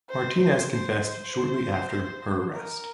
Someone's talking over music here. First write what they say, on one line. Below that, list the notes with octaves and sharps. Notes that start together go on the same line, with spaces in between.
Martinez confessed shortly after her arrest.
C5
C5
C5
C5
A#4